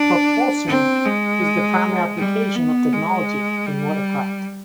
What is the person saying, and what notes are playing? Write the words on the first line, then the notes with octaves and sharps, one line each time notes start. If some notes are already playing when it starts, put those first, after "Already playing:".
Propulsion is the primary application of technology in watercraft.
Already playing: D4
C4
G#3
G3
B3
G#3
G3